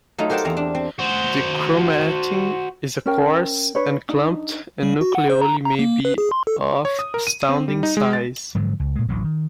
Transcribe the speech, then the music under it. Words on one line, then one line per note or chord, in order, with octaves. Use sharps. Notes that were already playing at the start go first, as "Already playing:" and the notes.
The chromatin is coarse and clumped, and nucleoli may be of astounding size.
F#3 A3 D#4 F4
G4 A#4 C5 F#5 G5 A5
E2 C4 A#5
D4
C4
F#4 C5
C#4 A#4 G5
D4 B4 C#5
D4 D#4
G3
F#4
F#5
C5
A#5
A#5
A#3
B4
G#4
C6
A4
C#5
D#6
A#4
D#7
C4
G3
D#4
G#3
A6
G#2 D3 F3 F#3
C#2
A#2 G#3
A1 D2 F#3
D#3